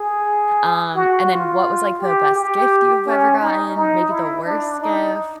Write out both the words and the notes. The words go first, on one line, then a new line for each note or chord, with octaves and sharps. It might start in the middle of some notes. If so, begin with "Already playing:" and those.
um, and then what was, like, the best gift you've ever gotten, maybe the worst gift?
Already playing: G#4
F#4
F4
G4
G4
C#4
D#4
D#4
E4
D4
D#4